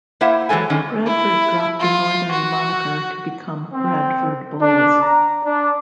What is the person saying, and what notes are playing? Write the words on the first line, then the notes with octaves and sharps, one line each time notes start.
Bradford dropped the Northern moniker to become Bradford Bulls.
A#3 E4 C5 E5 F#5
E3 F#3 G#3 A4 G#5
D3 D#3 C#4
E4
F4
F#4
C4
D4
A#5
D4